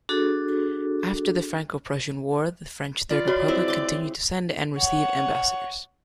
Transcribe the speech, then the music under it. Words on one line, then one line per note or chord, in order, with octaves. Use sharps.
After the Franco-Prussian War, the French Third Republic continued to send and receive ambassadors.
D4 F#4 G#4 A4
F4 B4 D5
F#4 C#5 C6
G#3 C4 E4
C6 D6
C#5 F#5